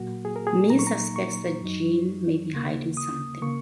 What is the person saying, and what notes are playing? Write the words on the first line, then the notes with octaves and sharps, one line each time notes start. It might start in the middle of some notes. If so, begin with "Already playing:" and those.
Mi suspects that Jeanne may be hiding something.
Already playing: A#2 F#3 A#3 F#4
G#4
A#4
G#4
A#2 F#3 A#3 D#4 A#5
C#6
A#5
C#6
F#2 F#3 D#4
D#2 C#3 A#3
D#6
C#3 A#3 C#6